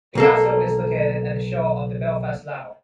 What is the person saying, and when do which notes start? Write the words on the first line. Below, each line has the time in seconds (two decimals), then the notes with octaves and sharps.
The castle is located at the shore of the Belfast Lough.
0.15 B1 A#3 A4